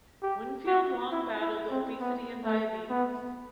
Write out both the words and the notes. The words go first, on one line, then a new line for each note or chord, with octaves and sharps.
Winfield long battled obesity and diabetes.
G4
F#4
E4
E4
C4
B3
A3
B3